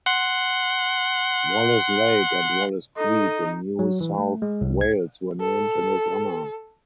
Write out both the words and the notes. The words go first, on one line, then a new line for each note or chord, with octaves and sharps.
Wallis Lake and Wallis Creek in New South Wales were named in his honour.
F#5 C6
D#4 A4 D#5
F#3
E3
A3
G#3
C2
G#6
A4